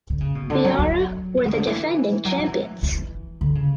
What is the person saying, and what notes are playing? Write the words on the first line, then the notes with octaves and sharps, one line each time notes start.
Beara were the defending champions.
D3
C#3
B2
D3
F#3
F#3
E3
C#3
D3
E3
F#3
E3
E3
D3
C#3